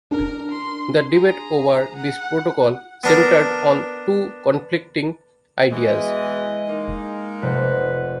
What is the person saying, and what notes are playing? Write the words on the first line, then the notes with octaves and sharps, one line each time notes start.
The debate over this protocol centered on two conflicting ideas.
D4 A#4
C6
G#4 A#5
F#5
B3 D4 A#4
E2 B2 E3 G#3 D#5 D#6
A#3 D#4
F1 B4 C5 F#5